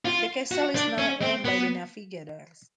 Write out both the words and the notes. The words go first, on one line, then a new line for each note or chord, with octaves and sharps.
The castle is now owned by The Navigators.
F4
F#4
D4
C#4
C4
B3